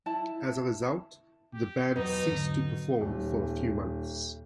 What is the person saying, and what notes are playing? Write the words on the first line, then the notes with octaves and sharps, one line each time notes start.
As a result, the band ceased to perform for a few months.
E4 A5
G4
E2 B2 F#3 D#4 B4
E2 G#2 D3
D#1